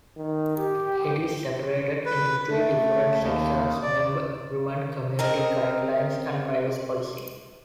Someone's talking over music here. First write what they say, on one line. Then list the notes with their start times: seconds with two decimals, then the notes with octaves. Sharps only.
It is separated into three different sections: "Member Agreement", "Community Guidelines" and "Privacy Policy".
0.17 D#3
0.58 G4
2.06 B4
2.51 A3
3.20 D#2
3.83 D5
5.19 C4 A#4 D#5